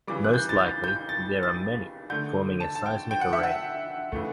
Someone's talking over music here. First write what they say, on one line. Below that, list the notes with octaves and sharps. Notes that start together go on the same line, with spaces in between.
Most likely, there are many, forming a seismic array.
C#3 E3 G3 D6
F#6
G6
A6
G6
G6
A6
A6
D3 A3 G6
A5
A5
G5
G5
F#5
E5
F#5
C#3 E3 A3